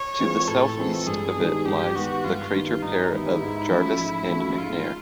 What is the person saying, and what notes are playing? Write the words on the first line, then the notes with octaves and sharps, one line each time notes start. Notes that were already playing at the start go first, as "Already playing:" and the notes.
To the southeast of it lies the crater pair of Jarvis and McNair.
Already playing: C#5
E3 G#3 C4 F4
A2 A4
E3 G#3 C4 F4
G2 G#4
D#3 G3 B3
G2 G4
D#3 G3 B3 F#4
G2 F4
D#3 G3 B3
G2 D#4
D#3 G3 B3 E4
G#2
F3 A3 C#4 F#4
G#2
F3 A3 C#4 F#4
G#2 F4